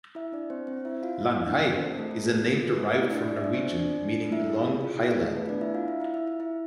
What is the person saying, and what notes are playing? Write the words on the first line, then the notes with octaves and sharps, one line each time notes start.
Langhei is a name derived from Norwegian meaning "long highland".
E4 E5
D4 D5
C4 C5
C4 C5
E4 E5
F4 F5
E4 E5
D4 D5
C4 C5
A3 A4
A3 A4
A3 A4
G#4
F4
G#4
B4
A3 A4
E4 E5
D4 D5
D5
E5
D4 D5
C4 C5
D4 D5
E4 E5
A4
G#4
G#4
F4
E4
G#4
A3 A4
B3 B4
D4 D5
E4 E5
F4 F5
E4 E5
E4 E5
E4 E5
E4 E5
E4 E5